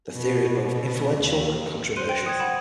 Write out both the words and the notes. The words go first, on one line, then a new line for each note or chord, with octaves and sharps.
This theory was both influential and controversial.
B2
D#2
C5 C6 F#6 D#7
G5
D#6 G#6
F#5 B5 E7